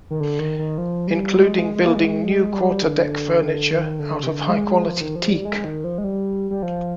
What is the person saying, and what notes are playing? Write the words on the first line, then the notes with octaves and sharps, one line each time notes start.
Including building new quarter deck furniture out of high quality teak.
D#3
D3
D#3
D#3
F3
G3
G#3
G#3
G#3
A#3
G#3
G3
D3
D#3
D3
C3
D3
G#3
G#3
F3
D#3
F3
G3
G#3
D#3
F3
G#3
G3
G3
F3